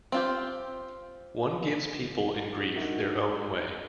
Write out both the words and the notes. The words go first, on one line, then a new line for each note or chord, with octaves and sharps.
One gives people in grief their own way.
C4 F4 G4
D4 D#4 F#4 G4 A#4 E5